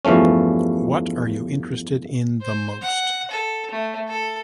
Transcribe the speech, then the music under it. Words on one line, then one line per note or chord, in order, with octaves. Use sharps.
What are you interested in the most?
E2 G2 F3 A3 C#4
C5
F#5
A4
A3
A4